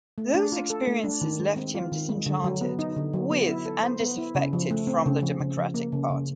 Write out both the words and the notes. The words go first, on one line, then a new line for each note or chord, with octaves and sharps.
Those experiences left him disenchanted with and disaffected from the Democratic Party.
A3
D4
F4
A4
A3
D4
D#3
G#3
C4
F4
D#3
G#3
D3
F#3
B3
D#4
D3
F#3
B3
E4
A4
C5
B3
E4
C#3
F3
A3
C4
C#3
F3
C#3
F3
A#3
C#3
C#3